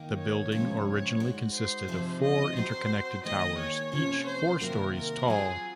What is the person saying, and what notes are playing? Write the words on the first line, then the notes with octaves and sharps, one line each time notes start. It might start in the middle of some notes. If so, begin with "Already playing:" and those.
The building originally consisted of four interconnected towers, each four stories tall.
Already playing: D#3 A#3 D#4 A#4
C#5
C#3 F3 G#3 C4
C#5
G#3 D#4 F#4
C5
C3 F3 C4 D#4 G#4
D#5
F#3 C4 F#4 C5
D#3 A#3 D#4 G#4 D#5
C#5
C3 F3 A#3 C#4 C#5
C5
C3 D#3 F#3 A#3 A#4
A#4
F#3 C4 F4 G#4